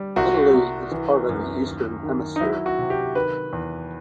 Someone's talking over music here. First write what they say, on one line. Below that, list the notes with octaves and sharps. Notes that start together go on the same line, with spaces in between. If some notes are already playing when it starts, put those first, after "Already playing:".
Italy is part of the Eastern Hemisphere.
Already playing: G3
C2 F#4
C2
E3
F#2
D#2
D#3
D#4
F#3 E4
F#4
C3
G4
D#3 B4
E2